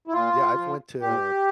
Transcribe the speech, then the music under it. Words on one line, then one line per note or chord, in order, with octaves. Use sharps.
Yeah, I've went to
E4
A#2 F4
F3
A#2 G4